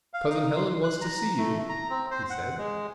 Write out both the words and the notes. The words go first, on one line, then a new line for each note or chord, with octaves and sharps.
"Cousin Helen wants to see you," he said.
F5
D#4
C6
F#6
A#5
A3
A#5
C4
C5
F#5
G#3